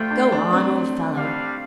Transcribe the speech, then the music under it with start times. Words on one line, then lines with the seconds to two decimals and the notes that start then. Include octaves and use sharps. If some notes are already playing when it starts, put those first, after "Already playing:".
"Go on, old fellow."
Already playing: G3 A3 F4 C5 G5
0.11 D4
0.32 D4
0.53 C4
1.14 G3 D4 G4 F5